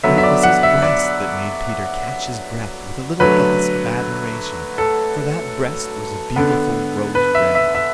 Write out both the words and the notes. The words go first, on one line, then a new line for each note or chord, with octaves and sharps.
But it was his breast that made Peter catch his breath with a little gasp of admiration, for that breast was a beautiful rose-red.
D3 F#3 B3 E5
E5
D5
F#5
E5
D5
D3 F#3 A3 B4
A4
D3 B3
B4
E5
E5
E5